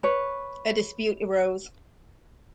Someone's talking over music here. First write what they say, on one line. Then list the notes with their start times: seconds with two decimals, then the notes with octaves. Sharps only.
A dispute arose.
0.03 B4 C#5